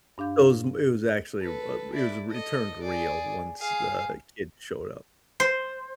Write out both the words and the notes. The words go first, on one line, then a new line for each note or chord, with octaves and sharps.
Those it was it was actually, uh, it was r it turned real once the kid showed up.
G2 D4 F5 G6
A4 B4
E4 D5
A4 D#5
G#4 D5
G#4 F5
C5